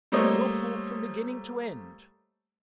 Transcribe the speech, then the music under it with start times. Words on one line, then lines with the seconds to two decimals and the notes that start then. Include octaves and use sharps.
'Your fault from beginning to end.'
0.12 G3 A3 A#3 C5 C#5 D#5